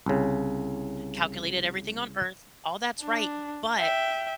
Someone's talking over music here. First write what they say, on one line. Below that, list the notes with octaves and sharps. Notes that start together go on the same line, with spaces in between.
calculated everything on Earth. All that's right, but
C2 C#3
D4
E5 G5